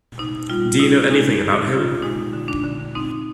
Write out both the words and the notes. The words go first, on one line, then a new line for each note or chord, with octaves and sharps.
Do you know anything about him?
C3 D#4
G3 F4
C3 D#4
G#3 D#4
D3 G4
D3 F4
G#3 D#4
D3
D4
D3
C4 D#4